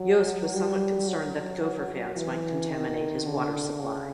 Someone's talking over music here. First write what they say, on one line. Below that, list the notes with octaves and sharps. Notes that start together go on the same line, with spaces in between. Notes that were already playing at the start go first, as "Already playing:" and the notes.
Yost was somewhat concerned that Gopher fans might contaminate his water supply.
Already playing: F#3
G3
F#3
E3
D#3
D3
C#3